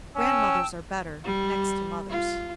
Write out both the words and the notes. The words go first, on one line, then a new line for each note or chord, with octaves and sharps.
Grandmothers are better, next to mothers.
C#4 G5 A5 E6
G3
F4